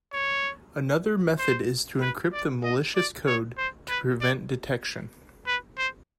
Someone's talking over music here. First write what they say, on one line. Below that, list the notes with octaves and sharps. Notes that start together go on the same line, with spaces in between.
Another method is to encrypt the malicious code to prevent detection.
C#5
C5
B4
D5
D#5
D5
C#5
C5
B4
D5
B4
C5